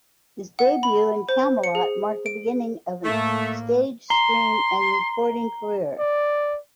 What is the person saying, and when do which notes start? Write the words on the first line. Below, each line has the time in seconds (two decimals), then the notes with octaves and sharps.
His debut in "Camelot" marked the beginning of an stage, screen, and recording career.
0.59 F#5
0.83 B5
1.29 C5
1.64 C#7
1.75 G#4
2.26 D7
3.04 A2 A3 A#3
4.10 A#5 C6 C7 G7
5.99 D5